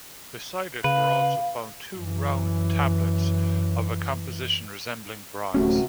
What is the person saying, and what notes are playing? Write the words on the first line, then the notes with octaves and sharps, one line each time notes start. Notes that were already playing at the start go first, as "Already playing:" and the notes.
Beside it were also found two round tablets, of a composition resembling bronze.
C#3 B4 F5
F#2 E3
D1 C3 A3 C#4 F#4